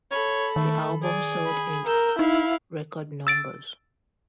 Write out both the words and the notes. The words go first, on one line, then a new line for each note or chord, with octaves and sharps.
The album sold in record numbers.
A4 C#5 B5
D#3 A3
G#4 D5
B5
A#4 E6 G6
D#4 E4 F5
E6 A6 D7